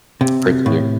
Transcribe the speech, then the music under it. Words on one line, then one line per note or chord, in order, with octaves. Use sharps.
Pray clear
C3
A2